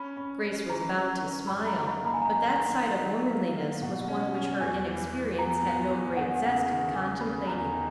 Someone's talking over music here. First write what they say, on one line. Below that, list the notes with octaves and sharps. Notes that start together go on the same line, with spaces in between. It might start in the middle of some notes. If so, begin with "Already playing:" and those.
Grace was bound to smile; but that side of womanliness was one which her inexperience had no great zest in contemplating.
Already playing: C#4 B5
C#4
C#4
E3 A#5
C#4
C#4
F#2 B5
A#5
D#4
B5
A#3
A#5
G#5
D#3 A#5
D#3
D#4
F#3
A#3
A#3
B2 F#5
C#4
C#4
E2 G#5
E3
E3
B3 A#5
B3
E2
E2 F#5
C#3
C#3
C#3 G#5
C#3 B5
E2 A#5
D#3